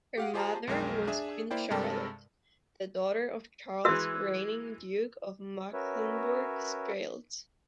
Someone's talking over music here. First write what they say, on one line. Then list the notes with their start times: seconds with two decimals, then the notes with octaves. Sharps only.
Her mother was Queen Charlotte, the daughter of Charles, reigning Duke of Mecklenburg-Strelitz.
0.17 G4 F5 F#5
0.34 F4 G4 G#4 C5 A5 A#5
0.67 B1 F2 G#3 A#4 G5
1.07 D4 G#4 E5
1.51 A#3 E4 C5 D5 G5
1.70 G2 C3 G#3 A4 A#4 A5
3.85 E3 G#3 F#4 B4 E5 E6 F#6
5.73 C#4 F#4 A#4 B4 C#5 E5